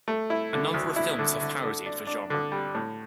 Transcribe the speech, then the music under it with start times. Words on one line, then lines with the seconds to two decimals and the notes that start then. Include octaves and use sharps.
A number of films have parodied the genre.
0.08 A3
0.30 E4
0.53 D3
0.74 D2
0.96 E4
1.18 D3
1.41 D3
1.63 D3
1.86 D4
2.07 D4
2.30 D3
2.52 G3
2.75 A2